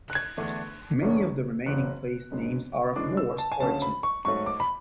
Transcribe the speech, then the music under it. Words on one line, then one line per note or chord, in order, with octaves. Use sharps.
Many of the remaining place names are of Norse origin.
F#6
G#6
E2 D3 A3 D4
E1 E2 D3 A3 C#4
F#1 E2 C#3 F#3 F#6
F#1 F#2 D3 G#3
F#2 E3 G#3 D4 D6
E6
A5
G#5
D2 C#3 F#3 A5
B5
C#6
G#2 F#3 A3 C#6
D6
B5